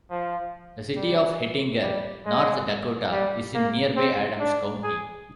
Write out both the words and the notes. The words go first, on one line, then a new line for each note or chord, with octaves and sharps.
The "city" of Hettinger, North Dakota, is in nearby Adams County.
F3
G3
G3
G#3
G3
A#3
C4
D4
G#4